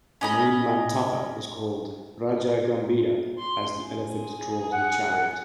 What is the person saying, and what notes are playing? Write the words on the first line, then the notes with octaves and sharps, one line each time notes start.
The main mantapa is called Raja Gambira as the elephant draws the chariot.
C#4 D#5 B5
C6
G#4
F#5